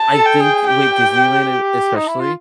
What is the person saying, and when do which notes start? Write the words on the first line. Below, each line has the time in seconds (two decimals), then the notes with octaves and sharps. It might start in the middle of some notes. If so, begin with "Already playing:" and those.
I think with Disneyland, it especially,
Already playing: A5
0.12 A4
0.26 G5
0.41 G#4
0.68 G4 G5
1.96 D#4
2.08 E4
2.20 F4